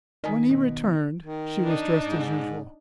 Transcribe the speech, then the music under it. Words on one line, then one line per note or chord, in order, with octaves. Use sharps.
When he returned she was dressed as usual.
D#3 D#5 G#5 B6
B2
D#3
D4 D#4
G#2